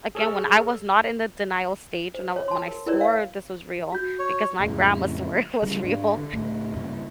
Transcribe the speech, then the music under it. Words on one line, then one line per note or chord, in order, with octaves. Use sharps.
again, when I was not in the denial stage, when I when I swore this was real, because my grandma swore it was real,
G#4 A4 C#5 E6 F6
C5
C#5
A5 C6
A#4
E4 A#4 B4 C#5 D5
F5
F#4 G6
C#5
F2 A2 C#3 G#3
C#3 G3 G#3
G#2 D4
D3
C#2 A2 A3
G2 C#3 A#3 C#4